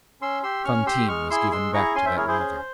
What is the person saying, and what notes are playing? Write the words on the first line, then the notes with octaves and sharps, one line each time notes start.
Fantine was given back to that mother.
C#4 C6 E6
G4 C6 E6
C#4 C#6 F6
G4 C6 E6
G#3 C#6 F6
E4 G#4 C6 E6
G#3 C6 E6
E4 G#4 A#5 C#6
C#4 G#5 C6
C5 E5
E4 G#4 A#4 C#5
G#4 C5
C#4